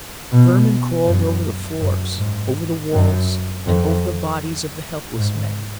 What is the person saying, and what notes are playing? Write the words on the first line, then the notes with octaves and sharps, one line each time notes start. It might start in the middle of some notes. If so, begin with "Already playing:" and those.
Vermin crawled over the floors, over the walls and over the bodies of the helpless men.
B2
F#2
F#2
G#2
F#2
F2
G#2